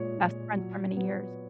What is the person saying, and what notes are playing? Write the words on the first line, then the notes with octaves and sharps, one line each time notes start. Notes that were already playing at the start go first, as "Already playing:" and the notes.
best friends for many years.
Already playing: A#2 G#3 C#5
A#2
F#3
B3